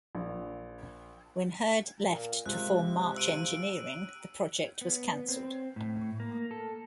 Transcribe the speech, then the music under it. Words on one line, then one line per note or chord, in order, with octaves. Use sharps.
When Herd left to form March Engineering, the project was cancelled.
A#1
A#2
C#2 C3 F#6
E6 D7 D#7
B3
C4
A2
A#3
A4